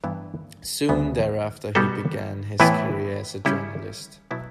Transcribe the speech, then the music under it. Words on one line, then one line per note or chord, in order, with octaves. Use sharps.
Soon thereafter, he began his career as a journalist.
G2 E3 B3 E4
D2 C#3 G3 B3
B2 G3 B3 F#4 A4
A2 E3 B3 E4 B4
C#3 G3 C#4 E4
B2 F#3 B3 E4